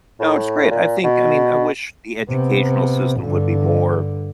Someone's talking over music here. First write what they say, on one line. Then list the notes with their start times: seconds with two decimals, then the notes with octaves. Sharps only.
No, it's great, I think I mean, I wish the educational system would be more
0.20 A2
0.71 A#2
1.04 B2
2.30 C3 B3
3.20 G2 D3